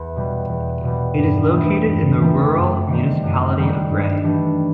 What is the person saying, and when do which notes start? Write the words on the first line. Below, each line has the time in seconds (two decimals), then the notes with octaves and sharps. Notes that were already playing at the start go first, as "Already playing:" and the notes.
It is located in the Rural Municipality of Grey.
Already playing: E2
0.16 B2 G3
0.49 E2
0.84 B2 G3
1.18 G2
1.51 E3 A3 C4
1.86 G2
2.21 E3 A3 C4
2.54 F#2
2.89 D#3 G3
3.22 F#2
3.56 D#3 G3
3.90 G2
4.24 E3 A3 D4 G4